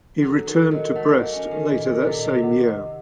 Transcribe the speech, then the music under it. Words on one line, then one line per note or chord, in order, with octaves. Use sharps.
He returned to Brest later that same year.
F#3 A4
D#3 A4
F#3 D#5
A3 F#5
A#3
D#5
C#4
A4
D#3
A#2 D#5
A#2
A4
C3
A#2
D#5
C3
F#5
D#5